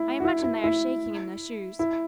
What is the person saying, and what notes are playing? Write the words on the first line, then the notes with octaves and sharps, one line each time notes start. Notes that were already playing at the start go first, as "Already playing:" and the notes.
"I imagine they are shaking in their shoes."
Already playing: E4
F#4
E4
E4
E4
E4